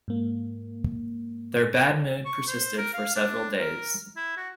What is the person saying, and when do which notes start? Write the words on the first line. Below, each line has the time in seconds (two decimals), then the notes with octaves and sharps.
Their bad mood persisted for several days.
0.08 G#2 A#3
2.25 C#6
2.48 C5
2.78 A#4
2.94 F5
3.16 D4
3.61 A#4
4.17 E4
4.37 F#4